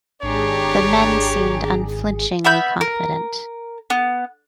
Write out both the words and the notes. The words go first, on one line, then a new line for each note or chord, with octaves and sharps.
The men seemed unflinchingly confident.
G#1 D4 G4 G#4 C#5 A#5
B3 E5 B5 G6
A#4
B3